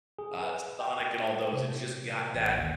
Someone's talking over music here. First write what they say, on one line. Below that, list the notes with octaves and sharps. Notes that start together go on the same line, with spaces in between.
uh, Sonic and all those, it's just got that
G#4
B4
G5
G5
C3
A1
D#2